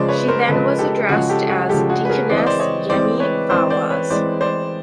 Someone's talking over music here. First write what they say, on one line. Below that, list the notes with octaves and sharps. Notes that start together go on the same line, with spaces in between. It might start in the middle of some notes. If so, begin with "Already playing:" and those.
She then was addressed as Deaconess Yemi Fawaz.
Already playing: C#3 F3 G#3 C5 D5
B4 C#5
A#4 C5
C#3 F3 G#3 A4 B4
G4 A4
C#3 F3 G#3 F#4 G#4
G4 A4
F#4 G#4
C#3 F3 G#3 G4 A4
F#4 G#4
B4
G#4 A#4
E3 G#3 C4 D5
D#5
C5 D5
C#5 D#5
E3 G#3 C4 C5 D5
B4 C#5
E3 G#3 C4 C5 D5
C5 D5
B4 C#5
E3 G#3 C4 C5 D5
C5 D5